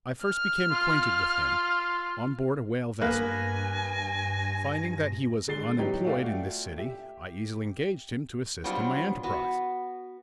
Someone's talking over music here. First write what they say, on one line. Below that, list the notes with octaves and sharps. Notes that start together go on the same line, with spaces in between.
I first became acquainted with him on board a whale vessel; finding that he was unemployed in this city, I easily engaged him to assist in my enterprise.
F6
F4
G2 A#3 B3 B4 G#5 A#6
D3 G#3 A6 C7 G7
A2 F#3 G3 B3 D#4 G4
A3 F4 F#4 D5 F5 G5
G4 E5
F#3 G3 B3 C4 D4 F4
B3 F#4